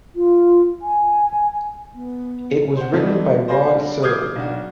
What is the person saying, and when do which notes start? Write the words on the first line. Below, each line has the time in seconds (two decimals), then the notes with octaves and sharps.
It was written by Rod Serling.
0.15 F4
0.82 G#5
1.95 B3
2.77 C5 F#5
2.93 E3 F#3 G3 A3 C4 D#4
3.48 C5 D5 F5 G#5 B5 A#6
3.75 D3 G3
4.02 D6 D#6 F6 G6 G#6 C7
4.35 B1 D4 F#4